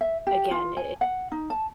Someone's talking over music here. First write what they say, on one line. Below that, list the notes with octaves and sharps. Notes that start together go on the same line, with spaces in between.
again i i
E5
G4
F4
G#5
F#5
D#4
A5